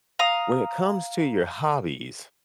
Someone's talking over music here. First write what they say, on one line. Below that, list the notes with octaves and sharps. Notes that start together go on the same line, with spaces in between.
when it comes to your hobbies,
F5 A#5 D#6